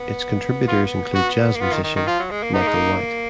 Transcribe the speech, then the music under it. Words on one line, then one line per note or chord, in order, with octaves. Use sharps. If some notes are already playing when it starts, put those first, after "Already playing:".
Its contributors include jazz musician Michael White.
Already playing: B3
F4
F#4
A#3
B3 F4
D#3
D#3
D#3
F3 F4
F#3
G#3
A#3
B3 D#4
A#3
G#3
A#3